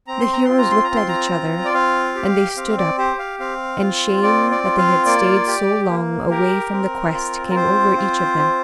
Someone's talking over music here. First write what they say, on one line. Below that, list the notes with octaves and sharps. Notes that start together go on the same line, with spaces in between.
The heroes looked at each other, and they stood up, and shame that they had stayed so long away from the quest came over each of them.
C4 A#5
C6
A#5
F4 C6
A#5
C6
A#5
C4
C6
A#5
F4
D5
C4 F5
G4
C4 F5
D5
G4 C5
F5
C4 F5
F4
C4 D5
D5
F4
F5
A#3 D5
G4
A#3
G4 A#4
C4
F4
A#4
C4 C5
F4
C4